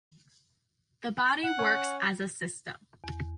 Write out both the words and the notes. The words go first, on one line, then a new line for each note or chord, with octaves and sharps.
The body works as a system.
F#5
C#4
E2